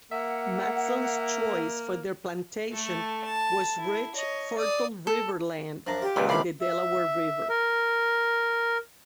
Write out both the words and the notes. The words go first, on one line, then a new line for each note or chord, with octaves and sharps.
Mattson's choice for their plantation was rich, fertile river land by the Delaware River.
A#3 E5 F#5
A3 A4
A5
E4
C#5 D#5
D5 D#6
A4
F#2 F3 D4 A#5
F4 G4
C#2 A#2 B3 D6
C3 D#3 E3 D4 D5 F5 B5
E5
A#4